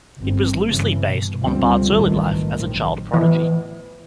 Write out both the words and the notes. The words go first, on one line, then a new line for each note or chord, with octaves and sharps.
It was loosely based on Bart's early life as a child prodigy.
G1 C4
G2 C#3 E3
B2
C#2 B2 D3 F3 G3 C4
A#1 G#2 D#3 E3 A3
A#1 F#2 D#3 C4
E3